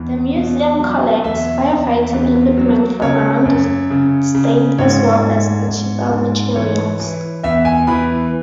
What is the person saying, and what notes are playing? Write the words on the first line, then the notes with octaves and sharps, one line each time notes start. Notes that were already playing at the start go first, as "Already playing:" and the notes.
The museum collects firefighting equipment from around the state as well as archival materials.
Already playing: E2
B2
F#3
E2 E5
E2
E2
F#3
C#3 C#5
F#2
C#3
C#3
G#2 C#5
G#2
G#2
G#2
E3 C#5
E3
E2 E5
G#5
E3 B5